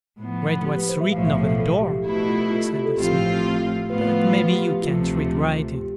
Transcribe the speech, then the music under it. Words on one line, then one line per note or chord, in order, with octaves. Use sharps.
'Read what's written over the door', said the Smith; 'but maybe you can't read writing.
A2 F3 B3
G4
B4
C5
E5
B1 A2 F3 F5
E5
A4
A4
G4
B2 A3 E4 G4
F4
F4
G4
A4
A1 A2 F3 C4 F4 G4
A2 F3 B3 F4 B4
B4
B4
G4
G4
D2 C3 F3 A3 F4
G4